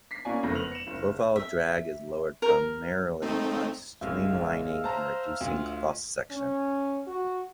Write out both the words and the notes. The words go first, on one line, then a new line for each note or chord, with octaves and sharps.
Profile drag is lowered primarily by streamlining and reducing cross section.
B6 C7
A#3 C#4 E4 F#4 D5 G#5
F#1 F2 A3 A#6
B3 B4 F7 F#7
C#7 E7
F#1
E5
A#4
A3 C4 D#4
G#1 C#2 G#3 E5 F5
C5 A5 A#5
D2 F4
C#4
F#4